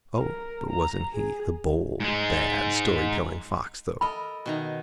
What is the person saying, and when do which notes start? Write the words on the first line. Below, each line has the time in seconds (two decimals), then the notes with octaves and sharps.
Oh, but wasn't he the bold, bad story-telling fox, though?
0.18 A#4
0.72 A#5
1.14 G#4
2.00 G#2 G#3
4.01 A4 A#4 D#5 B5
4.46 B2 D#3 A#5